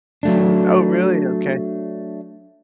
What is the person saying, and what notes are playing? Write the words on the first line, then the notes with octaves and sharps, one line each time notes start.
Mm, oh, really, okay.
F#3 A3 D4